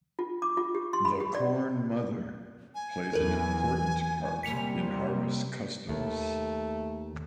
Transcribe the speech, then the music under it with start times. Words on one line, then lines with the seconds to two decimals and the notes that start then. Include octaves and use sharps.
The Corn Mother plays an important part in harvest customs.
0.19 F4
0.42 D6
0.57 F4
0.75 G4
0.93 C6
1.05 B5
1.20 G4
1.35 D5
2.75 G#5
3.13 E2 E3 A4 A#4
4.43 C3 G3 A#3 B6 C#7 F7
5.89 D#2 A3